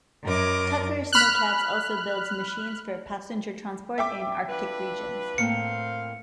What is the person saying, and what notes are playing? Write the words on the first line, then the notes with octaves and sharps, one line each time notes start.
Tucker Sno-Cats also builds machines for passenger transport in Arctic regions.
F#2 A#4 D#5 D6
B5 F6 F#6
E5 G5 D6
D4 F4 B4
A2 A#3 C4 C5 F5 C#7